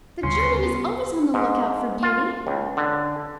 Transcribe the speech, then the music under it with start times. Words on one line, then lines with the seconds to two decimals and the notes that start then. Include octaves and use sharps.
The German is always on the lookout for beauty.
0.23 D2 C#3 G3 B3 C#4 C6
1.34 G#2
2.03 F4
2.47 C#2
2.77 D3